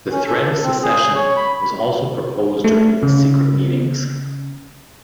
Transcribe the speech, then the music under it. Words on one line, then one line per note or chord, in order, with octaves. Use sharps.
The threat of secession was also proposed during these secret meetings.
C#4
A4
C4
G#4
C#5
B5
A3
C#3